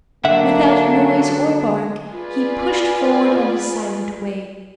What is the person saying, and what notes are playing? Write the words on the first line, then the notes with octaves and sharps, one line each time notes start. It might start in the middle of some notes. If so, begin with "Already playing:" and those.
Without noise or bark he pushed forward on his silent way.
D3 F#3 A#3 D4 E5 F#5
F4 G#4 B4 D5